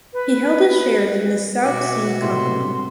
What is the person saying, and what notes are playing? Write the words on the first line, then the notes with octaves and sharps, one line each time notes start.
He held shares in the South Sea Company.
B4
B2 F#4 E5 D6
A2 C3 C5 C6